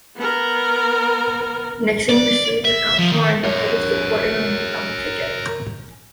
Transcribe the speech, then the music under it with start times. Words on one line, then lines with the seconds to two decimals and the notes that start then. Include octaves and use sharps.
Nixon received an outpouring of public support and remained on the ticket.
0.16 B3 A#4
2.09 D5
2.65 E5
2.99 F3
3.12 D#3
3.44 A#4 C#5